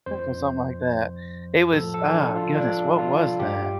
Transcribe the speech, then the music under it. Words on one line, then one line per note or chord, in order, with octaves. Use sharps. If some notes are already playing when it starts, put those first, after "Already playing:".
or something like that. It was uh, goodness. What was that?
F2 F3 C5
A2 F3 A4
A4
D4
F4
D4
F4
G2 G3 G4